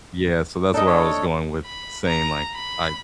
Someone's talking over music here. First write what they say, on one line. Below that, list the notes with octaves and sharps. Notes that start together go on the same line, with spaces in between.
Yeah, so that's where I was going with saying, like, I
D4 D#4 A4 D#5
A4 C#5
B5
A#5
B5